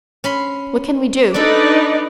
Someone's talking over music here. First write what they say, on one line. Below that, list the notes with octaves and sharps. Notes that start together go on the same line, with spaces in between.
What can we do?
C#4 B5 C6
D4 D#4 A4 B4 D5